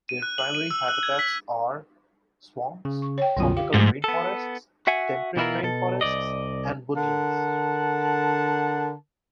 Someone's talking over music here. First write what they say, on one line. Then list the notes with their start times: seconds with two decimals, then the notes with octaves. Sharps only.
Their primary habitats are: swamps, tropical rainforests, temperate rainforests and woodlands.
0.09 D#7
0.22 F#6
0.38 F#7
0.55 D#7
0.71 E6
0.88 F#6
1.03 G#6
1.19 B6
2.85 C#3
3.02 C#6
3.18 C#5 G5
3.37 C2 F#2 B2 D3 F4
3.57 G4 F5
3.74 G#2 F3 A3 C5
4.04 B3 A4
4.87 F#4 E5 F#5 G#5
5.37 B2 E3 G3 E4 F4 A#4
5.63 B2 A4
6.01 C2 G#2 D5 D#5
6.96 D3 A#4 F#5 A5